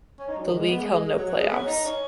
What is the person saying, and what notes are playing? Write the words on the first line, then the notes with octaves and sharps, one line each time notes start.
The league held no playoffs.
C#4
D#4
F#3
D#3
G#3
B3
G#3
G#3
G#3
F#3
F#3
G#3
B3
C#4
D#4
C#4